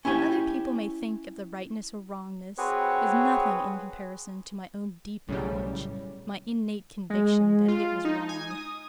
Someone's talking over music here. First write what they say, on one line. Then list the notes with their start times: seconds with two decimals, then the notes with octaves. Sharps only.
'What other people may think of the rightness or wrongness is nothing in comparison to my own deep knowledge, my innate conviction that it was wrong.
0.05 C#4 E4 G4 G#5
2.58 C4 F#4 G#4 B4 C#5
5.29 B1 A2 C#3 G3 C#4
7.10 G#3
7.68 F4
8.05 D#4
8.29 G#5
8.50 D#6